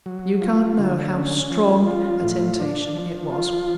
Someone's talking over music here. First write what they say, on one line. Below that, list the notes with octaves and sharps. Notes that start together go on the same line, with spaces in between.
You can't know how strong a temptation it was.
F#3
F4
D3
C#4
F3
F4
A2
D4
F3
F4